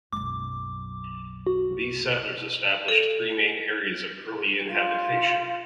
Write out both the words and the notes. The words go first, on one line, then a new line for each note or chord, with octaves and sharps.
These settlers established three main areas of early inhabitation.
F#1 B1 D6
F#4
A4 A#6
F4